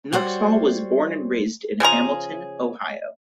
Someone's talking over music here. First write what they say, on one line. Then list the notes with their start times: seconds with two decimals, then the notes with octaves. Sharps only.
Nuxhall was born and raised in Hamilton, Ohio.
0.13 G3 F#4 C5 C#5
1.80 C#3 F3 G#4 A#5